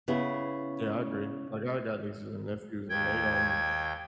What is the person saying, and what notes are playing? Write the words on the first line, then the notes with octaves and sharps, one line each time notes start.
Yeah, I agree, like I got nieces and nephews, and they, um
C#3 B3 E4
D#2 G5 G#6